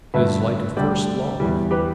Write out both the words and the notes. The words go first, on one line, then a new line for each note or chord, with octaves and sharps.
It is like a first love.
G2 D3 A3 B4 E5
D2 D3 G3 D5 G5
E2 E3 G3
G4 B4